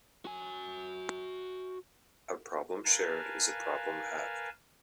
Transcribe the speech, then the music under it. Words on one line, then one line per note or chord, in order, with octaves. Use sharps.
A problem shared is a problem halved.
F#4 G#5
A#4 B4 F5 G#5 A5